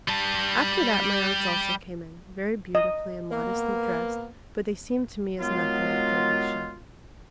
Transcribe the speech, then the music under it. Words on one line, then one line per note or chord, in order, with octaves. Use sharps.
After that my aunts also came in, very beautifully and modestly dressed, but they seemed to me as nothing after Alicia.
G3 A5
D#5
A#3 B3
D#3 F#3 G#3 B3 F4